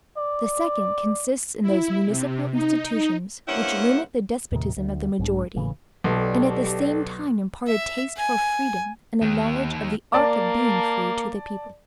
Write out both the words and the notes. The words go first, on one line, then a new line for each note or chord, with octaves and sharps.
The second consists in those municipal institutions which limit the despotism of the majority, and at the same time impart a taste for freedom and a knowledge of the art of being free to the people.
D5
E4
C3
D#4
G2 A#3 C#4 E4 C5 F#5
D#2 A2 C3 D#3
D2
B1 G#2 G#3 D4
G#1 A2 C#3 E3
B1 G4 A4 D5
E5
G#5
D#2 D#3
A#3 D5 A5